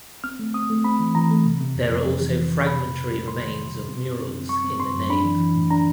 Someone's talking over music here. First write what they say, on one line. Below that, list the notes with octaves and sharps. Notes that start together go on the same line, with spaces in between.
There are also fragmentary remains of murals in the nave.
C4 F6
A3
C4 D#6
A3
C4 B5
E3
E3 A#5
A3
C3
C3
F2
F2
F2
E3
C3
F2
C3 B5
C3
C3
G3
C3 C6
D#3
G3
C3
C4
F#2
C4
F#2
G3 C#6
C4
C4 C6
F#2
D4 B5
E3
E3
A2
D4 A#5